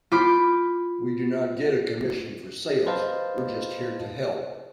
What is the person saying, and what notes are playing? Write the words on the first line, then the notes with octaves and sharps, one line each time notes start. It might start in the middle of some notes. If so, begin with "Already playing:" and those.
We do not get a commission for sales, we're just here to help.
F4 B5 D6 G6
B4 C5 D#5 F5 A5